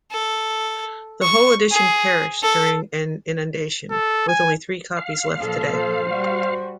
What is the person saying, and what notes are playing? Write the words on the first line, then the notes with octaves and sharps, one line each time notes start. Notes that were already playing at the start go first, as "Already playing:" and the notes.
The whole edition perished during an inundation, with only three copies left today.
A4
C#6
G#4
A4
A4
G#5
F5
A#2 F3 A4
C5
G3 F#4